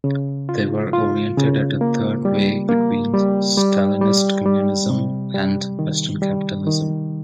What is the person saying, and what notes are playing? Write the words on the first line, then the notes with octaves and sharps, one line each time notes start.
They were oriented at a Third way between Stalinist communism and western capitalism.
C#3
F4
F4
C#3
A#3
G3
A#3
G3
G3
G3
G3
C3
G3
D#3
G3
D#3